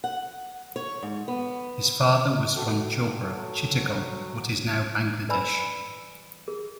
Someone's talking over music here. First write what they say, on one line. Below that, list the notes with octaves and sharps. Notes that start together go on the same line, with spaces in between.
His father was from jobra, Chittagong, what is now Bangladesh.
F#5
C#5
G#2
B3
F#4 A4 G5
F#3
B4 D5 G#5 B5 E6
G#4 A#4